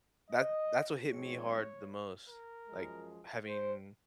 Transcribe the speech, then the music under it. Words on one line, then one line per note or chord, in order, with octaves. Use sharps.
That that's what hit me hard the most. Like, having
D#5
G#2 F3 G#3 C4 C#5
A#4
F#2 F3 G#3
C5